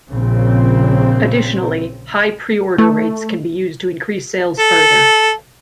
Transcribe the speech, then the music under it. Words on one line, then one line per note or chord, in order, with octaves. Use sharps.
Additionally, high pre-order rates can be used to increase sales further.
A#1 C#3 C4
A3
A4